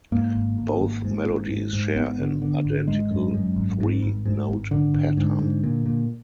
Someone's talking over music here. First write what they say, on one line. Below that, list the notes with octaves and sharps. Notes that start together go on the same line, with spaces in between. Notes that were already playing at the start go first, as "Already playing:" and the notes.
Both melodies share an identical three note pattern.
G#2 A#3
G#1
G#1
G#1
G#2
G#1
G#2
G#2
G#1 B3
D3
D3
G#1
G#1 G#3
F#2
F#2
G#1
G#2
G#1
G#2
G#1
G#1 D3
G#1
G#2
G#2
A#2
A#2